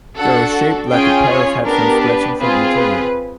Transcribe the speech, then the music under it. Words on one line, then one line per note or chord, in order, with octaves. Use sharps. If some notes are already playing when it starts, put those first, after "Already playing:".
They are shaped like a pair of headphones stretching from ear to ear.
D4 F#4 A4 F#5
C#4 F4 G#4 G5
C#5
B3 D4 G4 A#4
B4
C4 F4 G#4 B4
B4